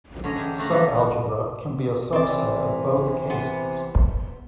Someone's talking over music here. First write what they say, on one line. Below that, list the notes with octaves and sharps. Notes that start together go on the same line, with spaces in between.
Subalgebra can be a subset of both cases.
D3 C#4 D#5 A#5
E3 E4 G4 G#4
D3 A3 F#4 A#4
B2 A#3 B3 D#4 E4
C3 E3 C4 D5
B3 C5